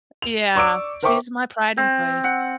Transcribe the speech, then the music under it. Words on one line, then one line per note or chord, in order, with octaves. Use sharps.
Yeah. She's my pride and joy.
F7
D5 C#6 D6 E6 D7
A#4 C5 E5 G5 C#6 D6
C4
F#5